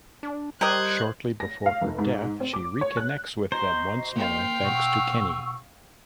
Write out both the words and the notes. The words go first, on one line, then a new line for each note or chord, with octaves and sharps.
Shortly before her death she reconnects with them once more thanks to Kenny.
D4
G3 G4 A#4 C5 D#5 F#6 G#6
A#6
F5
F1
G#2
C4
D6
C#5
F#6
F#4 C5 D#5 A#5
A#3 F5 G5
B2 F#5 C#6 E6